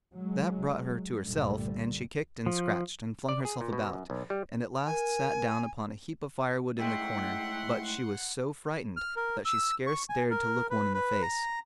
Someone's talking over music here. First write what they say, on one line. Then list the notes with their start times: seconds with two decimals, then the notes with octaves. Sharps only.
That brought her to herself, and she kicked, and scratched, and flung herself about, and at last sat down upon a heap of firewood in the corner; but she was so frightened that she scarce dared to look one in the face.
0.14 F#3 G#3
1.21 C2 G2 A#2 D3 G3 A3
2.46 F3
3.29 D5
3.45 G#4
3.61 A#2
3.73 B2
3.93 F#2
4.10 B1
4.30 G3
4.85 A#4 G#5
6.79 A2 G#3 C#4 E5 F#5 G5 C6
8.97 F6
9.16 A#4
9.45 E6
9.87 C#6
10.09 G#5
10.31 A#4
10.71 B4
10.94 B4
11.22 A#5